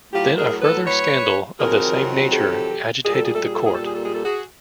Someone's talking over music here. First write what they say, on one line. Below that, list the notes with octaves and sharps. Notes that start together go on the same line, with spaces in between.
Then a further scandal of the same nature agitated the Court.
A2 F#3 F4 G4
G#4 A#4
A4 B4
B4 C#5
F2 C3 D#3 F#3 G#4 A#4
G4 A4
A#2 G3 G#4
A4
G#4
A4
G#4
A4
G#4
A4
G#4
A4
G#4
A4
F#4 G#4